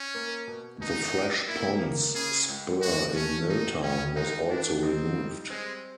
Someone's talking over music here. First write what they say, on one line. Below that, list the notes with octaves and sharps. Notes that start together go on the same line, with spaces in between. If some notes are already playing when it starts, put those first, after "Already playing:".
The Fresh Ponds spur in Milltown was also removed.
Already playing: C#4
A#3
B2
B2 D#4
F#3
A#3 E4
A#3
C#3 G#4
C#2
C#2 F#4
A3 C#4
E3 D#4
C#3 C#4
C#2 D#4
E3 D4
C4 D#4
G3
G#3 C4